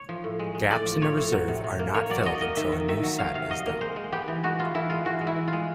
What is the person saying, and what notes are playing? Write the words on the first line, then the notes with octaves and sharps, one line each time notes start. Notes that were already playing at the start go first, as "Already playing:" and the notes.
Gaps in the reserve are not filled until a new set is dealt.
Already playing: C#5
F3
A2
G#3
G#3
A2 D5
F3
F3 C#5
A2
F#3
C3
C3
A#3
A#3 C#5
F#3 D5
F#3 D#5
A#3 D#5
D#3 E5
D#3
D#3 E5
F#3
F#3 F5
C3 F5
F#3 D#5
A#3
G#3 C5
G#3
B3 G4
E3
G#3 F#4
B3 F4
E3 E4
G#3 F4
E3 F#4
G#3
E4
E3
F4
G#3